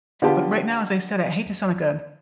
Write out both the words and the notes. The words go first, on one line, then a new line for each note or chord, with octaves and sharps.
but right now, as I said, I hate to sound like a
D3 B3 F4 G4 A5